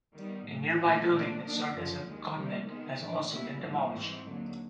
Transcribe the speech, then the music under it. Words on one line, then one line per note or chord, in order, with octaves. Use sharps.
A nearby building that served as a convent has also been demolished.
D#3 G3 B3
A2 F#3 A3
A#2 F3 A3 C#4 F#4
A#2 F3 A3 D4
D#3 F#3 A#3 D4
F#2 D3 F3
D#2 D#3 G#3
C3 E3 G3 A#3
D#3 G#3 B3
A2 E3 A3 D4
A#2 G3 B3 E4
G#2 E3 G3 A#3
G#2 E3 G#3 C4
D#2 D3 F#3